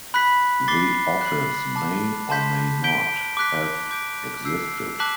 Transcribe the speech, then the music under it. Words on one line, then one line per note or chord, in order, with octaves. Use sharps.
The office may or may not have existed.
B5 F#6 B6
D6 A6 C7 G7
F#6 C7 F#7
A5 D6 F#6
A5 C6 G6 B6
G6 B6 D7 G7
D6 F#6 B6
D6 G6 D7
E6 G6 C7
A5 D6 F#6 B6 F#7